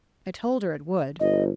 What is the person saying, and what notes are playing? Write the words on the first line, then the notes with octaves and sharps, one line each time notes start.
"I told her it would."
G1 D#5